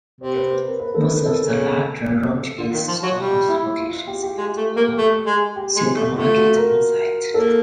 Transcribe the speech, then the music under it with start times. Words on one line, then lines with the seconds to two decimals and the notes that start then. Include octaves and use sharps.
Most of the larger Roches Stores locations had a supermarket on-site.
0.21 C3 C5
0.35 B4
0.51 B4
0.65 A#4
0.80 B4
0.94 A4
1.10 A#4
1.25 A4
1.40 C#3
2.58 D3 F4
2.74 D#3
2.88 F3
3.03 F#3
3.18 G3
3.48 E4
3.78 F4
4.07 G4
4.23 G4
4.38 G#3
4.57 A3
4.76 A#3
4.97 A3
5.26 G#3
5.56 G4
5.76 G#3
5.96 A3
6.16 A3 F4
6.36 F#4
6.56 A#4
7.34 A#3 A4